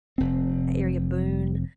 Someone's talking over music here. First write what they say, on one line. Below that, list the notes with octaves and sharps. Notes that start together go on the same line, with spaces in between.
area, Boone,
F1 C4